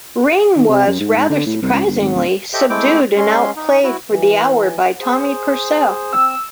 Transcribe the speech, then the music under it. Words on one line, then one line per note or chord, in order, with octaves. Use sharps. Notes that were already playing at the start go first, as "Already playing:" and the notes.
Ring was, rather surprisingly, subdued and outplayed for the hour by Tommy Purcell.
D#3
C3
F#2
G#2
G#2
D3
A2
C2
C#2
G1
G#1
D1
G4 A4 C5 D#5 E5 G5
G#3 A3 C4 E4 G5 D6
G#3 C#4 C6
D#4
E4 F#4
E3
G#4 C5
C4 E6